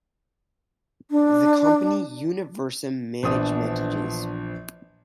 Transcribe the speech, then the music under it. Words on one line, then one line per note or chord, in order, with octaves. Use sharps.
The company Universum Managementges.
D4
A#1 E3 F3 B3 D4 D#6